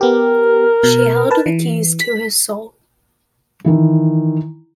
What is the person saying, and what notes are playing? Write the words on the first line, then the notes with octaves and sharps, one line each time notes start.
She held the keys to his soul.
B3 G4 A#4
B2
B4 A5
E3
B6
D#3 E3 E4